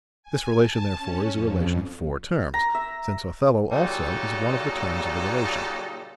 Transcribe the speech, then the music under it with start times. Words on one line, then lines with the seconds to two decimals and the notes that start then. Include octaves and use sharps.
This relation, therefore, is a relation of four terms, since Othello also is one of the terms of the relation.
0.23 G#5
0.57 A5
0.98 C#4
1.32 F2
2.54 A#5
2.75 E5
3.70 A#2 C#3 F#3 G3 D#4 A4